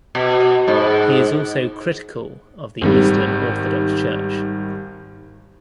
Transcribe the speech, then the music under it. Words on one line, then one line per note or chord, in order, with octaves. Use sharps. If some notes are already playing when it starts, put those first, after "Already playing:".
He is also critical of the Eastern Orthodox Church.
B2
G#2
G#1 D#3 G3